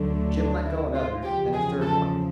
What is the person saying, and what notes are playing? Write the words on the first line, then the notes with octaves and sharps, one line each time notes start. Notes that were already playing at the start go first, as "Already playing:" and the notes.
Jim let go another, then a third one.
Already playing: D2 D3 F#3 A3
D4
E4
F4
E2 C#3 F3 G4
G#4
A4